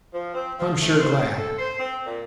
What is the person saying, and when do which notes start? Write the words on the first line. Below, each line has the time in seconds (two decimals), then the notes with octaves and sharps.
I'm sure glad.'
0.14 F3
0.34 C4
0.59 F3
0.82 A3
1.00 C5
1.37 A4
1.58 C5
1.79 C4
2.06 A#2